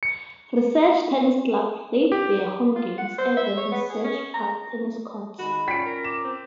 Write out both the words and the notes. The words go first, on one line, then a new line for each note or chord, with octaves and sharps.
Research Tennis Club play their home games at the Research Park Tennis Courts.
C#7
G4
F4
F#5
C5
E5
C#5
B3
G#4
C#4
A#5
D#3 G#3 F#4 B5
C#4 F4 D5 G5 B6 D7
A#4
D6 E7
C4